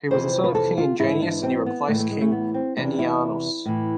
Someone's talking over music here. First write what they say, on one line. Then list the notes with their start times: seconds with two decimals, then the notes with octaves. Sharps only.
He was the son of King Ingenius and he replaced King Enniaunus.
0.11 F2 C3 E3 C5
0.44 B4
0.55 A4
0.78 F4
0.99 G#2 E3 E4
1.22 D4
1.43 C4
1.66 B3
1.88 A2 A3
1.92 E3
1.99 A3
2.11 G#3
2.21 A3
2.32 B3
2.54 C4
2.76 E2 C3 E3 D4
2.99 E4
3.65 A2 E3